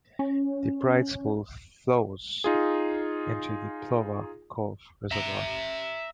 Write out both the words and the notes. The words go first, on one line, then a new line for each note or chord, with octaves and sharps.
The Bride's Pool flows into the Plover Cove Reservoir.
C#4
D#4 F4 G#4
E5 A#5